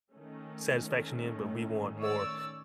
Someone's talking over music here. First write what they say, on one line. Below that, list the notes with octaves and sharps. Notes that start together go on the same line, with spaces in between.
satisfaction in, but we want more
D#3 A3 C#4
A2
C#5 D5 E6